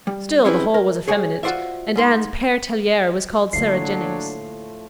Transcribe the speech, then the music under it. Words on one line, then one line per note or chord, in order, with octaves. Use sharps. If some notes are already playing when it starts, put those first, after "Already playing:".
Still the whole was effeminate, and Anne's Pere Tellier was called Sarah Jennings.
G3
C4 C#4 E4 G4 G#4 B4
A#4
G#4 C#5 G5 G#5
F4 F#4 C5 D5 E5
G#2 C6
A2 D3 F3 F#3 A3 A#3 D4 C7